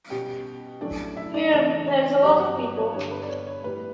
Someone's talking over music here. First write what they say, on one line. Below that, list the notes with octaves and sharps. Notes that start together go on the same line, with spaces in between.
Here, there’s a lot of people.
B2 G3 C#4 G4 G5
A2 F#3 A3 C#4 D4 D5
E4 E5
D4 D5
E2 C#3 E3 A3 C#4 D4 D5
C#5
G2 F#3 B3 G4 G5
F#4 F#5
C#5
G2 D3 G3 B3 C#5
B4
D5
C#5
C#5
A2 G3 B3 B4